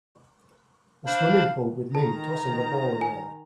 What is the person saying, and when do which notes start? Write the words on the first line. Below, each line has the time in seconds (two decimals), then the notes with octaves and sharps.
A swimming pool with men tossing a ball around.
1.06 D4 C5 F5 B5
1.95 D#3 A5 A#5
3.01 G#5